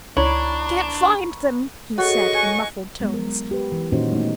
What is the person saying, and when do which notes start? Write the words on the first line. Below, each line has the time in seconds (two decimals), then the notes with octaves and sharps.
"I can't find them!" he said in muffled tones.
0.17 C#2 D#3 D4 E4 C#5 A#5 B5 C#6
1.98 F#4 G#4 A4 C#5 D#5 C#6
2.34 G#5
3.00 F#3 G#3 B3
3.14 A#4
3.51 G4 B4
3.72 E3
3.92 A#2 D#3 C#4 D#4 F#4 C5
4.11 G3 A3 B3 D#4